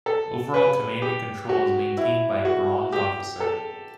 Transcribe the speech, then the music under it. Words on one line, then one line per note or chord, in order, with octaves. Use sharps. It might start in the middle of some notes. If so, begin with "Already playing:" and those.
Overall command and control is maintained by a 'Bronze' officer.
A4
B4
G4
F#4
E4
F#4
G4
A4